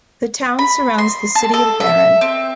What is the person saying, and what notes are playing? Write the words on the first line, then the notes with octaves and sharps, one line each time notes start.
The town surrounds the City of Barron.
B5
C6
A5
A4
E5
C4